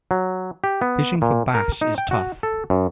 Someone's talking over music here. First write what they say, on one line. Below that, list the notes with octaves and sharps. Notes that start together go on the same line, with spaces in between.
Fishing for bass is tough.
F#3
G4
B3
A#2
A#4
D#4
G5
F#4
A4
F#2